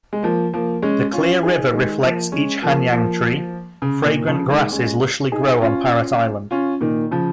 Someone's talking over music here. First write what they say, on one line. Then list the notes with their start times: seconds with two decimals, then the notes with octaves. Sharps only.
The clear river reflects each Hanyang tree, fragrant grasses lushly grow on Parrot Island.
0.13 G#3
0.23 F3 A#3
0.53 F3 A#3
0.82 G#3 C#4
1.13 C#4 F4
1.43 D#4 G#4
1.73 D#3 G#3
2.03 F3 A#3
2.32 G#3 C#4
2.62 F3 A#3
2.92 F3 A#3
3.82 C#3
4.04 A#2 D#3
4.27 C#3 F3
4.50 D#3 G#3
4.71 G#3 C#4
5.32 D#4 G#4
5.61 C#4 F4
6.51 C#4 F4
6.81 A#2 D#3
7.11 C#3 F3